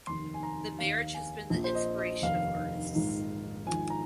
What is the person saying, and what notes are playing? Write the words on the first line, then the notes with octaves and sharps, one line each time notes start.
The marriage has been the inspiration of artists.
F1 D#2 D#3 C6
G#5
A#5
D#2 D#3 F5
G#5
A#1 A#2 F3
C5
D#5
D#5
F1 D#2 D#3 F5
A#1 G#2 D#3
G#1 G#2 F3 G#5
A#5